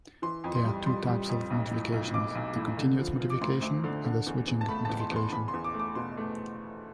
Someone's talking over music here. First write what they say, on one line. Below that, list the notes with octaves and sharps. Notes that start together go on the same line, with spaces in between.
There are two types of modifications: the continuous modification and the switching modification.
E3 C6
F2
C6
G3
G3 C6
G3
F2
B1
A2
B1
B1 D6
B1
A2
D3
F3
F3
D6
D2 C6
D2
D3
D3
E2
E2
A5
A3 B5
A5
E2
C6
E2 C6
E2 B5
C6
E2
D6
A3
D6
B2 C6
A3